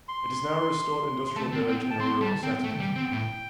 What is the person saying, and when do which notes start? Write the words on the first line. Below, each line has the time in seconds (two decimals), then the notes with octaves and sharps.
It is now a restored industrial village in a rural setting.
0.08 C6
1.27 C6
1.36 A3 A5
1.52 C4
1.68 C4 G5
1.91 A5
2.00 C4 C6
2.21 G3 A5
2.43 C4 G5
2.64 A3
2.80 G3
2.96 C4
3.12 A2